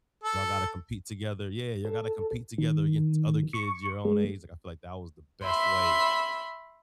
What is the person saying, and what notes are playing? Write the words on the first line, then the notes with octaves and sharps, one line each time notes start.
y'all gotta compete together yeah, you gotta compete together against other kids your own age, like I feel like that was the best way,
A4
A4
D#3
C#6
G#3
E5 B5 C6